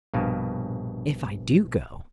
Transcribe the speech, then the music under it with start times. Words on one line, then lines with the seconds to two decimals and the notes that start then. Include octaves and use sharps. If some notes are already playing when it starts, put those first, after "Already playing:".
"If I do go."
0.14 A#1 G2 B2 F5